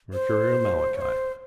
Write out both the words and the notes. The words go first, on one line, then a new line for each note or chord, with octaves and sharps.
Mercurial Malachi.
C5
C#5
C5